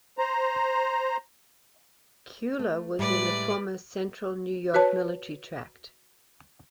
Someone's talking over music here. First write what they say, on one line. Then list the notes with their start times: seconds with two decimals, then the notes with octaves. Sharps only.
Cuyler was in the former Central New York Military Tract.
0.18 C5 A#5
2.59 A3
2.99 A2 G3 G#3 B4 D5
4.74 F#4 B4 C#5 A5